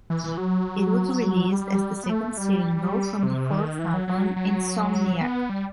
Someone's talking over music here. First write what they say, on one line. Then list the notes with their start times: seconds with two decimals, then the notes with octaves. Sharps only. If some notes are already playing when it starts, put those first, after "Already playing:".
It was released as the second single from their fourth album, "Insomniac".
0.10 E3
0.24 E3
0.38 F#3
1.52 G3
2.04 B3
2.09 A3
2.37 G3
3.23 C3
3.51 D#3
3.79 E3
3.94 F#3
4.08 F#3
4.36 F#3
5.21 B3
5.50 G3